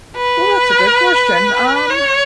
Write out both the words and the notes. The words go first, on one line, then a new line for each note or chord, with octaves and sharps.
Well, that's a good question, um
B4
C#5